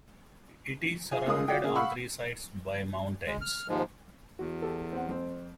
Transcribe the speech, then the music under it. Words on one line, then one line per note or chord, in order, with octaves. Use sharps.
It is surrounded on three sides by mountains.
F4 G#4 G#5
F1 G#3 F4 G#4 A#4 D#6
F4 F#4 D5 G5
C#3 A#3 G#4
F5 F#5 B5 C#6 E6
G#3
F6
D#2 G#2 F3 G#3
E2 F#4
G4 A4
C4 F#5
F2 C4